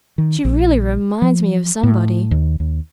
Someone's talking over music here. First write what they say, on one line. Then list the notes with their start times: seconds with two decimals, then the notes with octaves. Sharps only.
She really reminds me of somebody.
0.18 D#3
0.45 A#1
1.22 F3
1.83 A2
2.31 D#2
2.60 D#2